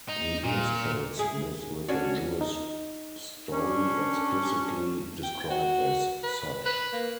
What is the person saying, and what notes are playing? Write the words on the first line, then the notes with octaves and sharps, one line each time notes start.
He illustrates this with a Jewish story, explicitly described as such.
D#4
A#2
E4 G#4
C#4 D4 F#4
D#4
C#4 D4
G5
F#4
B4
B4
A#3